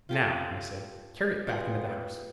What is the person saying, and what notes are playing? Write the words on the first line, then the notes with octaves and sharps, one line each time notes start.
"Now," I said, "carry it back into the house."
F4 G4 A4
G3 F4 G#4 B4